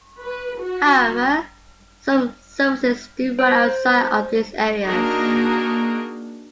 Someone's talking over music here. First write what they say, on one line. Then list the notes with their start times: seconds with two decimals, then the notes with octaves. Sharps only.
However, some services do run outside of these areas.
0.21 B4
0.61 F#4
3.39 C5
4.85 A#3 D4 D#4 F#4 G#4 A#4